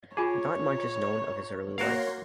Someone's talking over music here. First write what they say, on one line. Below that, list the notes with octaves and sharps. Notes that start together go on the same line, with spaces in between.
Not much is known of his early life.
F4 G#4 C#5 G#5 A5 D6
A#3 F#4 A#4 C#5 F5 C6